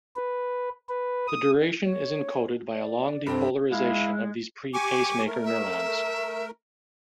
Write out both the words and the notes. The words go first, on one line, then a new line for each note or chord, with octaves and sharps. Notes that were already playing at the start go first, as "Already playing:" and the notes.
The duration is encoded by a long depolarization of these pre-pacemaker neurons.
B4
B4
D#6
C#5
D5
G2 C3 C4 A4
G#3 E4 F5
G4 G#5 C#6 D6
A3 A#4
E5